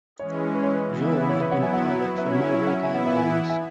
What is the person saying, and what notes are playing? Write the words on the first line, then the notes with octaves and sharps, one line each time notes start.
Joel had been a pilot for Mohawk Airlines.
E3 G#3 C#4 C#5
B4
C#5
B4
C#3 E3 B3 E4
B4
C#5
B4 E5
F#3 B3 E4 C#5 F#5
E5 G#5
C#5 F#5
F#3 C#4 E4 B4 E5
C#5
C#5
C#5 F#5
E3 B3 E4 E5 G#5
C#5 F#5
B4 E5
E5 G#5
E5 G#5